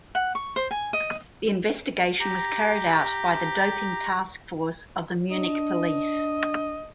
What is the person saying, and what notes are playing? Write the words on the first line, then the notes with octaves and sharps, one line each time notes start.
The investigation was carried out by the doping task force of the Munich police.
F#5
C#6
C5
G#5
D#5
G4 A#5
D4 D#5